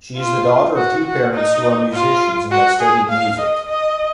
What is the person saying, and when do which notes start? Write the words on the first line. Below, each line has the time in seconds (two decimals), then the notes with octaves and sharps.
She is the daughter of two parents who are musicians and have studied music.
0.17 F4
0.76 F#4
1.05 F#4
1.34 D#4
1.93 F4
2.51 F#4
2.81 G#4
3.09 F5
3.38 D#5
3.68 D#5